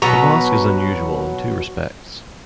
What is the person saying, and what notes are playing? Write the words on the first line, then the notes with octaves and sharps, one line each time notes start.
The mosque is unusual in two respects.
B2 F#3 B4 A#5